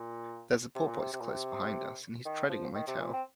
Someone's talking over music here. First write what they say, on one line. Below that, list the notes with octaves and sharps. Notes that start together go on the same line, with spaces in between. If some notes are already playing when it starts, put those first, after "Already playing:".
There’s a porpoise close behind us, and he’s treading on my tail.
Already playing: A#2
C3
A#2
C3
C3
A#2
C3
D#3
F3
D#3
C3
A#2
C4